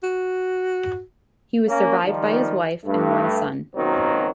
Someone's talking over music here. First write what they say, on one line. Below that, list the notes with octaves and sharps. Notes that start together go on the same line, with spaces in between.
He was survived by his wife and one son.
F#4
A#3 C#4
D#3 F3 G3
G2 A3
C#2 B2 D#3 F#3 A#3 C4